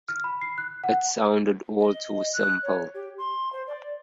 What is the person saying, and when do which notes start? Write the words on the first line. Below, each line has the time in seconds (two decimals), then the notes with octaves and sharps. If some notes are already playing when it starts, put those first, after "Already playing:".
It sounded all too simple.
0.09 F6
0.24 B5
0.41 C7
0.58 F#6
0.84 F#5
1.80 D#5
2.34 F#6
2.63 C#5
2.95 G4
3.18 C6
3.53 C5
3.67 D5